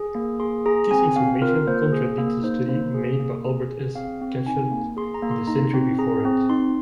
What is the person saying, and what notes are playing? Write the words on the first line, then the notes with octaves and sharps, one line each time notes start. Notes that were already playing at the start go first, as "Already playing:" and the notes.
This information contradicts the study made by Albert S. Gatschet in the century beforehand.
Already playing: G#4
A#3
G#4 C6
G#4 A#5
C4 G#5
C4 F5
F4 A#4
A#3 C5
G#4
A#3
D#4 C5
A#3 C5
G#4
A#3
G#4
G#4
C4 F5
C4
D#4 G#5
A#3
G#4 C6
A#5
A#3
C6
D#4 A#5
C4
G#4 A#5
C4
D#4 C6